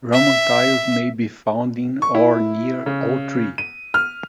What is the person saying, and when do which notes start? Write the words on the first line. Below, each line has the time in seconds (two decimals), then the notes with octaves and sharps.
Roman tiles may be found in or near all three.
0.13 E5
2.02 C#6
2.15 E4
2.86 C#3
3.58 D#7
3.94 F6